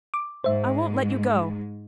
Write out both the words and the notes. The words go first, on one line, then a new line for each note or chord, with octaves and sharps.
I won't let you go!
D6
G#2 G#3 C5 E5